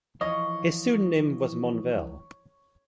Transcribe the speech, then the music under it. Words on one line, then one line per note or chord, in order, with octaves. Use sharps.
His pseudonym was Monvel.
E3 F3 C#5 D#5 F5